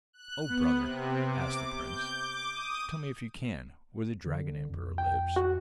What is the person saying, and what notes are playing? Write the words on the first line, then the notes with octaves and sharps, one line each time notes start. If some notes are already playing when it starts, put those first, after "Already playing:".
'Oh, brother!' asked the prince, 'tell me, if you can, where the dragon-emperor lives?'
F#6
B3
C3
D6
G6
D6
D#6
D3
F2
G5
F#4